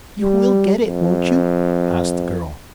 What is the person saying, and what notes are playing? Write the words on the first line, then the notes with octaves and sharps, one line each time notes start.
"You will get it, won't you?" asked the girl.
G3
F2